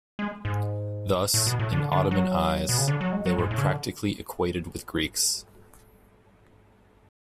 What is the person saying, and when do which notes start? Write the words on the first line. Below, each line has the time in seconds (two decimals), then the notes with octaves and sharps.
Thus, in Ottoman eyes, they were practically equated with Greeks.
0.19 G#3
0.45 G#2
1.34 A2
1.47 B2
1.59 A2
1.72 D3
1.92 D3
2.11 F#3
2.69 B2
2.78 C#3
2.88 D3
3.01 F#3
3.12 G#3
3.26 F#3
3.38 G#2
3.51 A2
3.58 C#3
3.64 D3